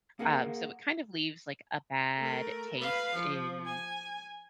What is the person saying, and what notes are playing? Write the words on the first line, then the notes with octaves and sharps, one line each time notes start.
Um, so, it kind of leaves, like, a bad taste in
A#3 G#4 A#4 F#5
A3 A#4
B4 F5
F3
G#5